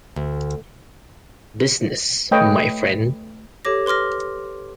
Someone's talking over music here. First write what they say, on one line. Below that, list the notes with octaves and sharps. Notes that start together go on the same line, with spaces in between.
Business my friend.
D2
A3 B4 C#5 D#5 G5
G4 A4 C#5 D6 A#6
B4 C6 D6 F6 A#6